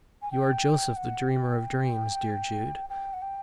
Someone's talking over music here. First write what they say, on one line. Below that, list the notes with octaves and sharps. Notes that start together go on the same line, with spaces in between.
You are Joseph the dreamer of dreams, dear Jude.
G#5
G5
F#5
G5
G5
F#5
G5